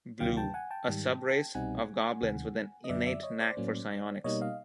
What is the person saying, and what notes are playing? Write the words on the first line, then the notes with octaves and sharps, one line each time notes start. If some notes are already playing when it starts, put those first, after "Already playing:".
Blue: A subrace of goblins with an innate knack for psionics.
D2 C3 D#3 F#3 A#3 F5 G5
G5 A5
F#5 G#5
G5 A5
G#2 D#3 G3
C2 B2 G3 C4 D#4 F#5 G#5
D2 C3 D#3
D#5
F#2 D3 F#3 B3 D5 E5
D5 E5
C#5 D#5
C5 D5
A2 F#3 A#3 C#4
B2 G3 A#3 D#4 C#5 D#5
D#5 F5